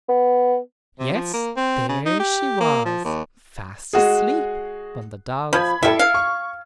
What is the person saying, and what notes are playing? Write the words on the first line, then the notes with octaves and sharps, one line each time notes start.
Yes, there she was, fast asleep on the dog's back.
B3
C3
F3
A#3
C4
C#3
D#4
G4
A#3
F3
D#2
G#3 F#4 G#4
F3 B5 G#6
G3 E4 A4 E5
F5
C#6